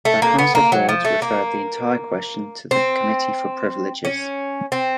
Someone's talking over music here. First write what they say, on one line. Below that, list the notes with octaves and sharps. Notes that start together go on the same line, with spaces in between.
The House of Lords referred the entire question to the Committee for Privileges.
A3
A#3
B3
A#3
F#3
F3
A3
A#3
C4
C#4
C4